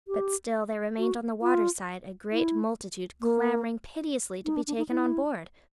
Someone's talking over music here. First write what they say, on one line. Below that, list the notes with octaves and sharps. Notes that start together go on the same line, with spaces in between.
But still there remained on the water side a great multitude clamouring piteously to be taken on board.
G4
F#4
F4
E4
A#3
D#4
D4
D4
D#4
E4